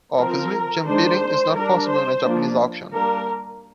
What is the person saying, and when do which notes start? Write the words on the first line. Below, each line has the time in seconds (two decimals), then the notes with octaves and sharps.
Obviously, jump-bidding is not possible in a Japanese auction.
0.17 F3 C4 A#4
0.86 D#3 G#3 D4 C5
1.55 G3 D4 A#4
1.90 C5
2.24 F3 A#3 D4
2.93 G3 A#3 D4 A#4